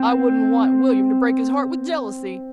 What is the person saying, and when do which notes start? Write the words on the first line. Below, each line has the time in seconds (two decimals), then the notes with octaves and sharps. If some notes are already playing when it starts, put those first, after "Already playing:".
I wouldn't want William to break his heart with jealousy.
Already playing: C4